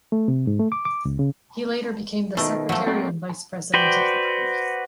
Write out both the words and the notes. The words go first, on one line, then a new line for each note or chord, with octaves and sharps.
He later became the Secretary and Vice President of the party.
A3
C3
G#2
A3
D6
D6
C#2
C#3
B2 D#3 A3
D#2 F3 F#3 A3
A#2 C4 D5
F#4 B4 C5 D5 G5